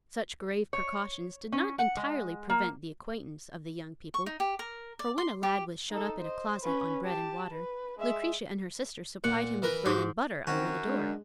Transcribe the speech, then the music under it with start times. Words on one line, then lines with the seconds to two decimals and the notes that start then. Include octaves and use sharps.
Such grave precautions did not entirely prevent the acquaintance of the young people; for when a lad was shut up in a closet, on bread and water, Lucretia and her sister supplied him with bread and butter under the door.
0.73 C#5
1.52 C#4
1.79 F#5
1.97 G#3
2.50 A#3
4.14 C#6
4.26 D#4
4.40 G4
4.59 A#4
4.99 D5
5.18 C6
5.43 G4
5.91 D#4 A4
6.20 C5 D#5
6.62 C#4 B4
7.04 G4 A5
7.51 B4
7.99 G#3 E5
9.24 A#2 F#5
9.62 E3 A#4 B4
9.86 G#2 F#4 G4
10.47 F#2 D#3 C4 C#4 F#4
10.86 G#3 D4